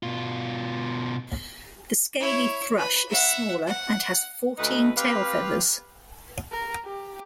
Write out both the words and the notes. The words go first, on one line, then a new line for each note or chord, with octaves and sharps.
The scaly thrush is smaller and has fourteen tail feathers.
B2 F4
E4 C#5
B4 B5
E5 F#5
F#5
D2 A3 D#4 B4 F#5
C4 G4 B4 F5
A#4
G4